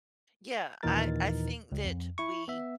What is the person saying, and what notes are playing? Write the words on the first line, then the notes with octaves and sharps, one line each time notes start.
Yeah, I I think that we
D#2 A#2 E3 D#4 A#4 A6
C#2
F2
E4 C#6
B3 E5